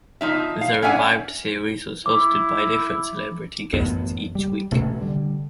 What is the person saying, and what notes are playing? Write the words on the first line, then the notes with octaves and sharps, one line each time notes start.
The revived series was hosted by different celebrity guests each week.
F3 D#4 E5
F5
C#4 D4 E5 F#5 G#5
E4 D6
A1 F#2 B3
G3
A1 B2 A3 C#4
D3 G3